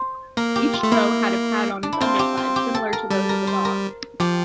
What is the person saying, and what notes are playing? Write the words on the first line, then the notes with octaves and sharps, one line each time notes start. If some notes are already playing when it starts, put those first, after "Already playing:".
Each toe had a pad on its underside, similar to those of a dog.
Already playing: C5
A#3 A#4
G4
F4
A3
A#3 E4
D4
E4
C4 F4
G4
F4
G4
A4
A#4
G3 A4
A#4
C5
A#4
F3 G4